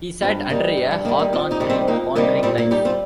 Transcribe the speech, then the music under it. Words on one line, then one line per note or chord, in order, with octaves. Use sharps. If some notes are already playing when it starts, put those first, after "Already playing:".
He sat under a hawthorn tree, pondering life.
G2 C4 F4
D#3 G3 A#3 D#4
G2
G3
D#3 G3 A#3
A#3 D#4
F2 C4 F4
D#4 G4
C3 D#3 G3
C4 F4
F2 A#3 D#4
C3 D#3 G3 A#3 D#4
A#2 G3 C4
A#3
G3 D#4 G4
C4 F4